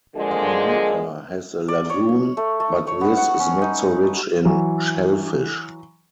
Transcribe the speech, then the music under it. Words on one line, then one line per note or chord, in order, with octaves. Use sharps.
Aranuka has a lagoon, but this is not so rich in shellfish.
A#2 D3 F3 G#3
D5
C#5
A3
A3
C#5
B3
F#5
C#4
D#4
E3 F#3